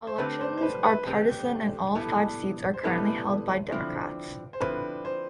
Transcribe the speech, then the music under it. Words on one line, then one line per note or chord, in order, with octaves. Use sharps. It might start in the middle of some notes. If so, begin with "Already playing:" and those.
Elections are partisan and all five seats are currently held by Democrats.
C5
D3 A3 C4 G4 B4
C5
C5
B4
B4
D3 A3 C4 G4 B4
A2 G3 B3 E4 A4
C5
A2 G3 B3 E4 A4 B4
D3 F3 C4 E4
C5
D3 F3 C4 E4 B4
C5